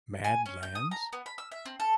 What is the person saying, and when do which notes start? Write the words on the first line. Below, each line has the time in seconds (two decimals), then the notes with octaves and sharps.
Mad Lands?
0.24 G#5
0.46 C#4
0.63 G6
0.75 D#6
0.91 A#5
1.13 B3
1.26 B5
1.38 E6
1.52 E5
1.65 C4
1.80 A4